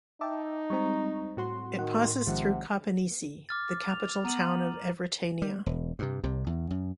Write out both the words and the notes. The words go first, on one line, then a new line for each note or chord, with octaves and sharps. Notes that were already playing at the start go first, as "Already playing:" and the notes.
It passes through Karpenisi, the capital town of Evrytania.
D#4 E5 G5 A5 D6
G3 G#3 C4 A#5 C#6
A2 F#4 C6
D#3 F#5
A#1 C3 D#3 F3 G#3 F#5
D6 F6 A6
F7
B3 A#5 D#7 F#7
G3
E1
G2 C3
C2 C3
E2
F#2